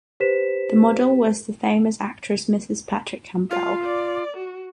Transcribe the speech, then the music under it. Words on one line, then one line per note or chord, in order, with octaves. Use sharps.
The model was the famous actress Mrs Patrick Campbell.
G4 B4 C5 B6 E7
F4 F5
D5
F#4